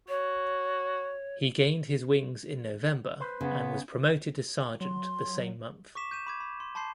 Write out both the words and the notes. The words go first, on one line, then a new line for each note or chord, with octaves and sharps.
He gained his wings in November and was promoted to sergeant the same month.
F#4 C#5
B4 C5
C#3 B3
F#3 C6
C#6 D6 B6 E7
G6 D#7 E7
B5 D6 G#6
B5
C6
A5 B5 C6 G6 C7